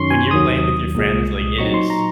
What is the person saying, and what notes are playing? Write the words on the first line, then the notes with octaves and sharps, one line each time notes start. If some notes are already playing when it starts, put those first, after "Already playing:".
when you're playing with your friends, like, it is
Already playing: F#2 D#3 F#3 C#4 C6 C#6
G#5
D#2 D#3 F#3 D#6
C2 A#2 G#3
A#2 F#3 C4 D#4 C#6
C6
A#5